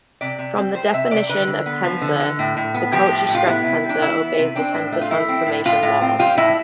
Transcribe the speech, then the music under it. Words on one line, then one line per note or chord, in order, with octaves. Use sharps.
From the definition of tensor, the Cauchy stress tensor obeys the tensor transformation law.
C3 D5
C3
C4
G3 C5
C3 E5
C3 D5
D3 B4
D3
B3
F3
D3
D3
A2
A2
B3
F3 G4
A2
A2
F4
B3 E4
C3
G3
D4
E3 E4
B3
C3
C4 D4
A2
A3
F4
F3 E4
C4
A2
A2 F4
A2
C4
G3 F4
A2 E4